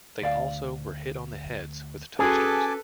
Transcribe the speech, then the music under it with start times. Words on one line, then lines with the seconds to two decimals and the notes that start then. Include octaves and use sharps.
They also were hit on the heads with toasters.
0.22 D2 D5 F5
2.19 C#4 F#4 G#4 A4 B4 G#5 A5 D6